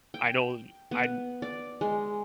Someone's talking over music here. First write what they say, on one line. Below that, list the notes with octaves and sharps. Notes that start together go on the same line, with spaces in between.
I know, I
G5
B3
D5
G#3